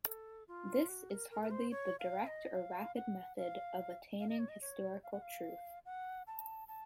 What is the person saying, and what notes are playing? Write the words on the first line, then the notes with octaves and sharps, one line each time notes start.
This is hardly the direct or rapid method of attaining historical truth.
A4
F4
F#4
A#4
A#4
A#4
C5
C#5
F5
D#5
F5
F#5
F5
F5
D#5
C#5
D#5
C#5
F5
F#5
F5
F#5
A5
A5